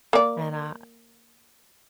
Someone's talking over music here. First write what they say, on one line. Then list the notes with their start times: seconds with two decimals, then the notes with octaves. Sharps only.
and a
0.13 A#3 D5